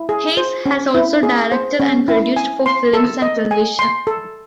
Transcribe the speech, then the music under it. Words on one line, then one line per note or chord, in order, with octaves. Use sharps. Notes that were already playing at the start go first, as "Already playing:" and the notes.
Hays has also directed and produced for films and television.
Already playing: E4
G#4
C5
C#4
E4
G#4
C5
C#4
E4
G#5
C6
A4
D#5
G#5
C6
A4